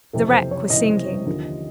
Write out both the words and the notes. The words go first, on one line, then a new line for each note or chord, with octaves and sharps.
The wreck was sinking.
F#1 F2 C3 E3 A4
C5
C#5
F#1 F2 C3 E3 D#5
D#2 D3 F3